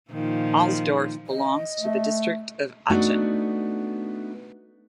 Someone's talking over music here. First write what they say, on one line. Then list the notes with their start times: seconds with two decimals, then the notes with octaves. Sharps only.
Alsdorf belongs to the district of Aachen.
0.10 A#2 D#3 F3
1.27 D#5
1.81 A3
2.90 A3 B3 D4 D#4 F#4